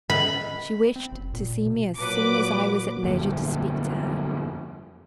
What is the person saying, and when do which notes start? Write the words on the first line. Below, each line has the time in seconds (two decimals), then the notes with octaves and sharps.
She wished to see me as soon as I was at leisure to speak to her.
0.10 B5
0.96 C4
1.12 F#1
1.34 A#2
1.66 B2
2.00 A#2 F#3 B4 D6
3.03 G1 F2 A#2